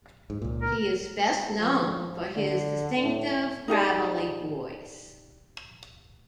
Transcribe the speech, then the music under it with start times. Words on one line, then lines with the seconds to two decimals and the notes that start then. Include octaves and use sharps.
He is best known for his distinctive gravelly voice.
0.30 G#2
0.42 C#2 A#2
0.61 A#4
1.61 F3
2.36 D3
3.03 A2
3.68 D#4 G4 G#4 D5